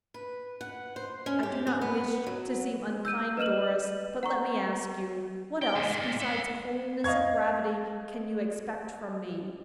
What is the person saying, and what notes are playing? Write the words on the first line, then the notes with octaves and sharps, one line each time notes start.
"I do not wish to seem unkind, Doris, but let me ask you--what else besides coldness and gravity can you expect from me?"
B4
F#5
C5
C#4
G4
G#4
B3
F#3
E6 G6 D#7
B4 D#5 F6 E7 F#7
F#5 A#5 C#6
G5
E2 C#3
G#2
A#2
E5 F#5
D#5 F5 C#6 G#6